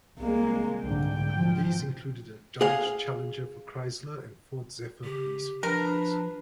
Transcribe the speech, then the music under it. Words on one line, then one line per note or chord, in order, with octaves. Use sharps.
These included a Dodge Challenger for Chrysler and Ford Zephyr police vehicles.
C2 G#3 A#3
C2 G#2 D3 G5
B2 F3
G#4 F5
C#3 G4
F3 D4 A#4 B4